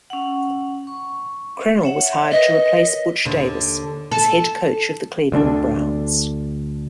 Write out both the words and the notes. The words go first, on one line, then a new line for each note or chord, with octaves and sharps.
Crennel was hired to replace Butch Davis as head coach of the Cleveland Browns.
C#4 F#5
C#6
C#5 E5 F#5
A#4 B4 C#5 D#5
D#2 D3
A4
D2 D3 C4 D4